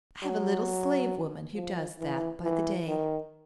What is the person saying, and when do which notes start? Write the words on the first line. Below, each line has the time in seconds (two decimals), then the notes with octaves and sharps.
I have a little slave woman who does that by the day.
0.23 F#3
1.55 F3
1.99 E3
2.43 E3
2.87 D#3